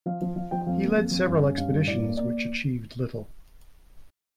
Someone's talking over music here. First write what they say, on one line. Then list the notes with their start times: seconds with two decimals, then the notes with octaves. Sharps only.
He led several expeditions which achieved little.
0.06 F3 F5
0.21 F3
0.36 F3 F5
0.51 F3 G5
0.61 G5
0.67 F2 F5
0.82 A#3
0.97 F2
1.11 F2
1.27 G2
1.43 C#4
1.58 G2 F5
1.73 G2
1.87 A2 D5
2.02 A#3
2.17 A#3 D5
2.32 A#3